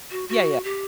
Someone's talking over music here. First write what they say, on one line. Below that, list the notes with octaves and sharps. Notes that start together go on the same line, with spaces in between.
Yeah, yeah.
F#4
F#4
G4